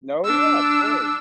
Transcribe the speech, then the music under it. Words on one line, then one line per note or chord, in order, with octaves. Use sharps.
No, yeah, of course.
D4 E6